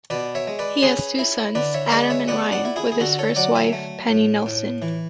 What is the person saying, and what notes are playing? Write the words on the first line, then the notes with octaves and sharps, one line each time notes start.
He has two sons, Adam and Ryan, with his first wife, Penny Nelson.
B2 B4 D5
C#5 E5
G#3
B4 D5
C#4 G#4 B4
E4
D3 B4 D5
C#5 E5
G#3 B4 D5
C#5 E5
B3 D5 F#5
D5 F#5
E4
E4 G#4
G#4
D3 F#4 A4
A4 C#5
F#3 D5 F#5
E5 G#5
A3
A2
A2
E3